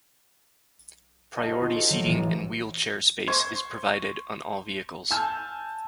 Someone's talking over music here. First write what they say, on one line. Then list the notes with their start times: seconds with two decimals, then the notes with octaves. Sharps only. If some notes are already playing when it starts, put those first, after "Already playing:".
Priority seating and wheelchair space is provided on all vehicles.
1.36 D#5 G#5 A5 F6
1.48 D#4 F#4 C5
1.61 F4 F#4 C6
1.76 A4 C5 D#5
1.90 F3 F#3
2.06 A1 E3 F3
3.27 C5 C6 C#6 G#6
5.11 G#5 A5 E6 F6 G6